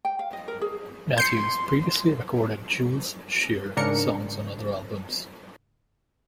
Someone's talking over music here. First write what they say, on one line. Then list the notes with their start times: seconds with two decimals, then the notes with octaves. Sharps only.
Matthews previously recorded Jules Shear songs on other albums.
0.05 G5
0.19 F5
0.33 D#5
0.48 A#4
0.61 G#4
1.18 C6 G6 C7 C#7
3.76 G#2 C#3 D4 A#4 C#7